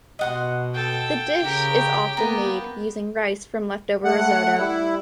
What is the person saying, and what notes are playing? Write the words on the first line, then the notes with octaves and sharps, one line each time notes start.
The dish is often made using rice from left-over risotto.
B2 D#5 F#5 C6
A4 G5
C#3 G4 A#4
A#3 B3 A#5
A3 F#5
G3 E4